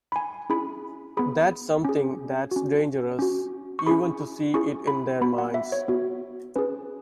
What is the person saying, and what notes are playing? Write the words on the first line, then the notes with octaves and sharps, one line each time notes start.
That something that's dangerous, even to see it in their minds.
B5
G#5
C#4 E4 G#4 B5
B3 G#4 B5
C#4 G#4
C#4 F#4
C#4 F#4
C#6
C#4 E4 G#4 B5
C#4 E4 G#4 C#6
B5
B3 F#4 B5
F#5
E5
C#5
B3 F#4
C#4 G#4 B4